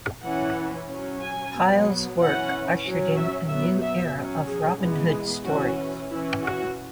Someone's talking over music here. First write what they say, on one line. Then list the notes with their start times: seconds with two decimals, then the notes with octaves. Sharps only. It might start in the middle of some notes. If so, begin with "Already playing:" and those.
Pyle's work ushered in a new era of Robin Hood stories.
0.23 E3 C#4 F#5
0.88 F#3 C#4
1.21 G#5
1.53 F#3 B3
2.19 E3 C#4 F#5
2.83 F#3 C#4
3.16 E5
3.48 F#3 B3 E5
3.81 E5
4.14 F#3 C#4
4.46 G#4
4.79 E3 G#3 B3
5.44 E3 C#4 F#4
6.10 E3 C#4 E4
6.42 F#4